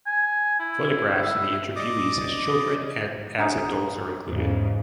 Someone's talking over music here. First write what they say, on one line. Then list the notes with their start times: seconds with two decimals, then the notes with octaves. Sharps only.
Photographs of the interviewees as children and as adults are included.
0.07 G#5
0.60 E4
1.23 E5
1.76 D5 D#5 D6 D#6
3.39 D4 A#5 D#6
4.28 E2 G#2 C#3